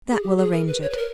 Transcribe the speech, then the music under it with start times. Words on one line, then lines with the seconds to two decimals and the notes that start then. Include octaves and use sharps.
"That will arrange it."
0.11 G#4
0.23 G4
0.38 G#4
0.52 A#4
0.67 B4
0.82 C#5
0.90 B4
0.98 A#4